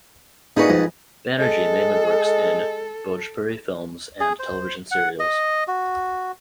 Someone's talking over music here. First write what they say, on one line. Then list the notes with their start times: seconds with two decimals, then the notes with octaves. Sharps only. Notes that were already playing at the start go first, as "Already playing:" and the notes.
Banerjee mainly works in Bhojpuri films and television serials.
0.57 A#2 D4 D#4 F#4 G#4 B4
0.69 F2 G#2
1.39 G#3 A4
4.21 G#4
4.39 C5
4.91 F#5
5.20 D#5
5.68 F#4